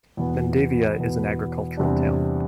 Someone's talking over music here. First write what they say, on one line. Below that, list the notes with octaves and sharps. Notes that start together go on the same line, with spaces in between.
Mendavia is an agricultural town.
E2 B2 B3
E2 B2 B3
E2 C3 G3 D4